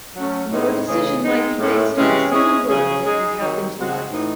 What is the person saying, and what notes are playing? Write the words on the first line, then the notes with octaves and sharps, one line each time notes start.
Your decision might be based on a single word that you happen to like.
F#3 A3 C#4
A2 G#3 C4 D#4
C#3 E3 A3 D#4 G#4
G#3 C4 D#4
A2 G#3 C#4 E4 A4
C3 E3 G#3 C#4
G#3 C#4 E4 G#4
C#3 F#3 C#4 G#4
G#3 D#4 G#4
D#3 F#3 C4 D#4
C#3 G#3 C4 F#4
A2 E3 A3 D#4